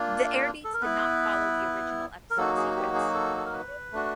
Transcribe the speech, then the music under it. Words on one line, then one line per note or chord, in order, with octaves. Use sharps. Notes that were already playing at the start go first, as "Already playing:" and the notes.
The airdates did not follow the original episode sequence.
Already playing: A#3 D4 F4
A4
A#4
B3 E4 B4
A#4
F#3 A#3 D#4 F#4 A4
G#4
G4
G#4
A4
A4
A#4
B4
A3 D4 F#4